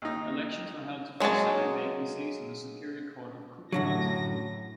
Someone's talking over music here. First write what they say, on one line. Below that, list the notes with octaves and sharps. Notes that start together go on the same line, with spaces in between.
Elections were held to fill seven vacancies on the Superior Court of Cook County.
D#2 D#4
F#3 G#3 A#3 C#5 A5
F#2 A2 D3 F#3 A#6